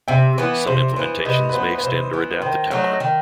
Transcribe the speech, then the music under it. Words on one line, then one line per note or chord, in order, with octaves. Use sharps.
Some implementations may extend or adapt the tower.
C3 E5 G5
E3 B3
C3 C5
E3 B3 C5
C3 B4 D#5
B4
E3 B3 C5
B4
C3 C5
E3 B3
D#3 C5
F#3 A3 D#4
D#3